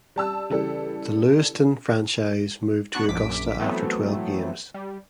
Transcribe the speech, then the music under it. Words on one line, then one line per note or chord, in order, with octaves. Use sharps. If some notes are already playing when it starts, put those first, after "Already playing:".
The Lewiston franchise moved to Augusta after twelve games.
G3 A5 E6
C#3 E3 G3 A4
B3 D4 F#4 C#6 F#6
A#1 F#2 D6 B6
E3 F#3 A3 B3 C4
G3